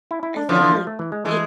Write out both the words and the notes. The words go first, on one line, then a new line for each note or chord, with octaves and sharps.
I think, like, i
E4
E4
D4
D3 E3 F3
E3
F3
A3
E3
G#3
E3 G#3 A3